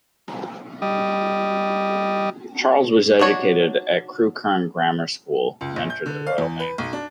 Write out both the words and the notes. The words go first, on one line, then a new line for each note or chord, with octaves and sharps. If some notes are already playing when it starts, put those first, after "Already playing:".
Charles was educated at Crewkerne Grammar School and entered the Royal Navy.
G3 D#5
D4 D#4 F#4 C#5
C#2
A#1
G6
D3
F5
E2
B4
B1
D4